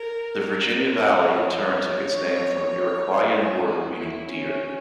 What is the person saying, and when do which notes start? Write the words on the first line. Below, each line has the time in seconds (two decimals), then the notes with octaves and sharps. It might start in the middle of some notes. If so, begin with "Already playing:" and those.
The Virginia valley in turn took its name from an Iroquoian word meaning 'deer'.
Already playing: A#4
0.58 B4
0.89 C#5
1.20 C#5
1.51 C#5
3.35 G#4
3.65 F#4
3.97 E4
4.28 C#4